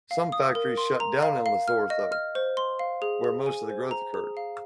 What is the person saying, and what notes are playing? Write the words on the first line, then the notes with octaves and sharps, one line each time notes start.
Some factories shut down in Lesotho, where most of the growth occurred.
F5
D#6
A#4
C6
A#5
F5
F5
F6
D#5
F6
C5
C6
F5
G#4
G#4
G#5
C5
A#5
G#4
F5